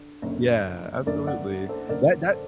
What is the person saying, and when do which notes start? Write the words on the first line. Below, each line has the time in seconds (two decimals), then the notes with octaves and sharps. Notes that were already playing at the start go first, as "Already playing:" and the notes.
Yeah. Absolutely. That that
Already playing: D3
0.22 F#1 F#2 D3
1.06 F#1 F#2 D3 A#4 D5
1.27 D5 F#5
1.69 A4 C5
1.89 F#1 F#2 D3 A#4 D5
2.31 A4 C5